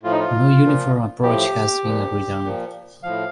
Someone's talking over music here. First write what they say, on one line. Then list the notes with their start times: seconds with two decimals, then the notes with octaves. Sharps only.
No uniform approach has been agreed on.
0.03 A2 F3 F4
0.12 D#4
0.19 F4
0.64 A#2 F3
1.23 A2 F3 G4
1.84 A#2 F3
2.44 A#2 F3
3.03 A2 F3 F5